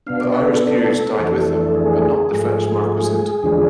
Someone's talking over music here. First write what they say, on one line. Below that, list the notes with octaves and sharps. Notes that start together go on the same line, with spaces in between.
The Irish peerage died with him, but not the French marquisate.
B2 B3 D4 F5
D5
B4
A4
A4
F2 E3 A3 D4
G#4
G#2 F3 A3
E2 D3 F3 G#3 D4